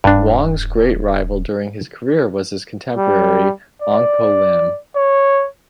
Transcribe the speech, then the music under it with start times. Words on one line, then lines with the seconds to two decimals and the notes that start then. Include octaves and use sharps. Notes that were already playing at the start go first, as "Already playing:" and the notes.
Wong's great rival during his career was his contemporary Ong Poh Lim.
0.04 D#1 G2 D4
2.97 G3
3.82 D5
4.96 C#5